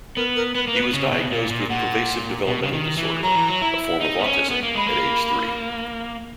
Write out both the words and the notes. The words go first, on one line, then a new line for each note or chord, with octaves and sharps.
He was diagnosed with pervasive developmental disorder, a form of autism, at age three.
B3 A#4
A#4
B3 B4
A#3
B4
B3
C#3
B2
A#2
A#2
A#2 F#5
B2
C#3
D#3
E3
F#3 A#5
E3
F#3
E4
D#4
B3
C#4
B3
A#3
G#3 B5
A#3